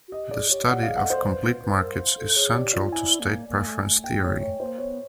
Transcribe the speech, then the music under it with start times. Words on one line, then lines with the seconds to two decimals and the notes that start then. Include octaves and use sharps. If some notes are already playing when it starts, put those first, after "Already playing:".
The study of complete markets is central to state-preference theory.
0.08 F#4
0.12 G4 D#5
0.31 G#4 D5
0.50 G4 C#5
0.68 G4 F#5
0.82 F5
0.88 G#4
0.97 F#5
1.05 A4 C5
1.24 B4
1.43 B4
1.62 B4
1.81 A#4
2.18 A4
2.36 G#4 C#5
2.54 G4 D5
2.73 F4 D5
2.92 E4 G#5
3.20 A#3
3.49 A#3
3.66 A3
3.85 A3
4.04 A#3 G5
4.23 A#3 C#5
4.41 A3 C#5
4.60 A#3 C5
4.78 B3 C#5